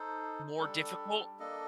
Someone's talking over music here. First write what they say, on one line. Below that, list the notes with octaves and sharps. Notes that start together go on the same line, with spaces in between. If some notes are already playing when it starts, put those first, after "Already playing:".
more difficult.
Already playing: D#4 A4 C5
G3 D4 A4
A#3 D4 A4 D#5